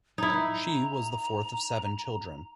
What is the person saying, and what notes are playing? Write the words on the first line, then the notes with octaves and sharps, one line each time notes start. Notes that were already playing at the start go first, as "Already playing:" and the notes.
She was the fourth of seven children.
D#4 E4 A#5